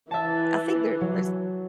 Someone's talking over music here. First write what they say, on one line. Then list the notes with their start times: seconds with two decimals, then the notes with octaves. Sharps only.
I think there those
0.11 E3 E5 A5
1.01 F#3